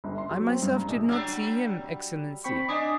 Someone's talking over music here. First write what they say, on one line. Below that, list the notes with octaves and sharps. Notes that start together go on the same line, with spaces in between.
I myself did not see him, Excellency.
G1
C6
F#3
C4
G2
A#5
A#1
F#3 G3 D4
C4 G5 B5 C#6
D4 D#5 G#5 D6 D#6